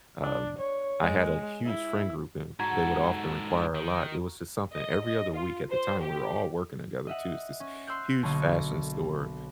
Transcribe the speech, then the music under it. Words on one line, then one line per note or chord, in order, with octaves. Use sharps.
Um, I had a huge friend group, and they would often require a lot. It was just something every other week at the time, we were all working together too. It's this huge fashion store
D4
C#5
G#3
E4
G#2 F#4 A4 A#5 G#6
D#3
D#5
D#5
F4
C5
G4
D#5 E5 F#5
C#4
C6 E6 F#6 G6
B1 D3 A#3 C#5 D#5